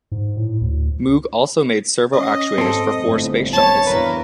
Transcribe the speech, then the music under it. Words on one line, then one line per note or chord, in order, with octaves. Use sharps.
Moog also made servo-actuators for four Space Shuttles.
G#2
A2
D2
C#4 D#5
G#2 C4 A4
G1 A2
G2 B3 C#5 A5
E2 G2 A#4 B4